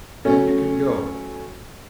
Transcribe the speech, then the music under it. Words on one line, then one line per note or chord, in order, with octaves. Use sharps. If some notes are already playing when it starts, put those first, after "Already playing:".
Then you can go.
F#3 A3 C#4